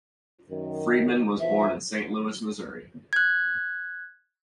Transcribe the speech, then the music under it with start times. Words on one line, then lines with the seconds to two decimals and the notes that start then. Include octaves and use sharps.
Friedman was born in Saint Louis, Missouri.
0.50 F#2 D#3
1.40 B1 E3 F3 E5
3.13 F#6 G#6